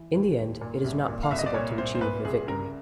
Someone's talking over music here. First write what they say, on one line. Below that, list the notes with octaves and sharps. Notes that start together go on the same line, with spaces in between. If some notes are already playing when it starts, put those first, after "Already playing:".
In the end, it is not possible to achieve a victory.
Already playing: E3
D#2
D#2
A#2
C2
A#2
F5
C2 E5
D#5
D5
A#2 C#5
C2 C5
C5
A#2 B4
C2 G#4
C#3 A#4